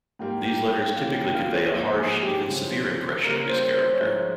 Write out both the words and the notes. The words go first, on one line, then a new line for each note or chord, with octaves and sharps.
These letters typically convey a harsh, even severe impression of his character.
G#2 G3 A#3 G5
G5
G5
C#3 E3 A#3 C#4 F5
G5
F5
C#5
G#2 F3 A#3 E5
G#4
G4
C#3 F3 C4
C#3 G3 A#3 A#4
C5
C5
C#5
G#2 F3 G#3 E5